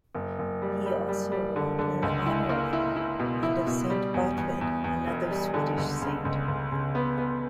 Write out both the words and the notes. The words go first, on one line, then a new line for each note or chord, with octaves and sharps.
He also wrote in honour of her and of Saint Botvid, another Swedish saint.
F#1
F#1
G3
G3
G3
G3
D3
D3
C#2
E4
A#3
E4
E4
B2
E4
B2
G3
E2
E2
E2
E2
E1
G3
D3
C#2
C#3
C#2
C#2
C#3
B3
B3